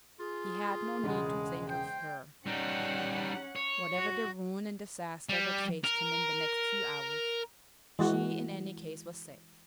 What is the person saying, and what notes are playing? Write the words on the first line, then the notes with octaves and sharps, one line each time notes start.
He had no need to think of her. Whatever the ruin and disaster that faced him in the next few hours, she in any case was safe.
F4 G#4
E1 C#3 G#3 F#5
C5 G5
G3 C#4 D#4 F#5
C#5
F#4
G3
A#4
E3 G#3 F#4